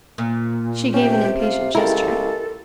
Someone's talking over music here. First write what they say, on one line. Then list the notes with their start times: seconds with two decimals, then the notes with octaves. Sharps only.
She gave an impatient gesture.
0.18 A#2
0.94 C3 C#4 G5
1.39 F5
1.75 C#2 E4 G4 A4 A#4